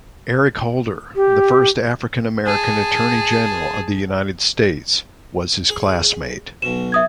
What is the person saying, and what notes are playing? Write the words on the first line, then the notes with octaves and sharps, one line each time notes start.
Eric Holder, the first African-American Attorney General of the United States, was his classmate.
G4
G#4 A5
G#4
B1 B2 E7
E5 D#6 G#6